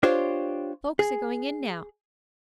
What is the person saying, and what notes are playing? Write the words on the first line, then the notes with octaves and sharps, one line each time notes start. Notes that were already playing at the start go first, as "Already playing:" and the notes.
Folks are going in now.
D4 F4 G4 C5 C#5
G#4